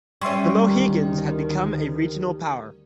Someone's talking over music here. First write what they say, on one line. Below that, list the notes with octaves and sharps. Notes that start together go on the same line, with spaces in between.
The Mohegans had become a regional power.
G3 C#4 E5 C6 C#6
D2 D#3 G4 A#4